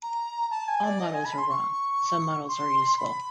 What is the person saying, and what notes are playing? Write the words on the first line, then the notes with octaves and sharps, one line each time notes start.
All models are wrong; some models are useful.
A#5
A5
G#5
D5
D#5
G#5
B5
C6
C#6
C6
B5